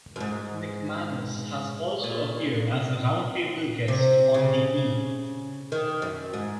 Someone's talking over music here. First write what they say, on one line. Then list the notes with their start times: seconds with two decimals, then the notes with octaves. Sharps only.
McManus has also appeared as a 'Round table' guest on the E!
0.16 F#2
0.20 G#2
2.04 A#2
3.88 C3
4.34 C#3
5.72 D#3
6.02 F#2
6.33 G#2